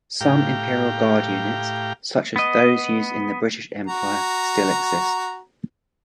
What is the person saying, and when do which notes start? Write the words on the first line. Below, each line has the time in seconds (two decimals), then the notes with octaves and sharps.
Some imperial guard units, such as those used in the British Empire, still exist.
0.21 A2 G4 F5 G5 A#5
2.36 B3 D#5
3.87 F#4 A#5